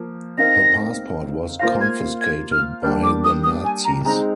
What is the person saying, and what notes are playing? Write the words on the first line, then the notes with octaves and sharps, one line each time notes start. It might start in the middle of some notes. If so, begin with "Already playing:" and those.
Her passport was confiscated by the Nazis.
Already playing: F3 A#3
C4 D#4 A#4 F5 A#6
A#3 F4 C5 F5 A#6
G#6
G#6
F6
G3 A#3 D4 G4 A#4 F6
D6
D#6
D#6
G#5
A#5
G#3 C4 D#4 A#5